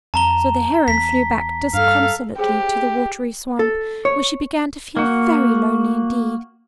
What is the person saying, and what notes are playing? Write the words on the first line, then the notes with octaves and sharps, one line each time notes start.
So the Heron flew back disconsolately to the watery swamp, where she began to feel very lonely indeed.
F2 A5 A#5 G7
E2 B6
G2 A4 F5
G4 G#4 C5 C#5
A4
C#5
A#3 F#4